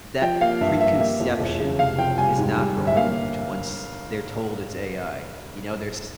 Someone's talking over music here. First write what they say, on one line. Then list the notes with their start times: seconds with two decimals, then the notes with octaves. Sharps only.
that preconception is not removed once they're told it's AI. You know, there's
0.22 F3 G5
0.41 A#3 F5
0.61 G2 E5
0.80 A#3 E5
1.00 A#3 E5
1.20 F2
1.39 E1
1.60 C#3
1.79 F1 F5
1.98 F2 G5
2.18 G3 G#5
2.38 G#2
2.57 G3
2.77 G1
2.87 E5
2.96 A#3 F5